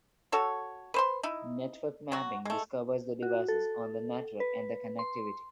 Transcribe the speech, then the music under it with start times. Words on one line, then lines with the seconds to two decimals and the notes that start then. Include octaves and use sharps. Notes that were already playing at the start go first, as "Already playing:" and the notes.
Network mapping discovers the devices on the network and their connectivity.
0.32 F#4 A4 C#5
0.94 B4 C5 C6
1.23 D#4 E4
2.12 F#3 F#4
2.45 G#3 A3
3.22 F#4
3.48 A4
4.40 B4
4.99 C6